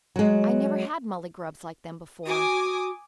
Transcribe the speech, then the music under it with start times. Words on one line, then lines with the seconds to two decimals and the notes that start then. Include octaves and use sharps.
I never had mullygrubs like them before.
0.16 F#3 G#3
2.26 F#4 G#5 D6 D#6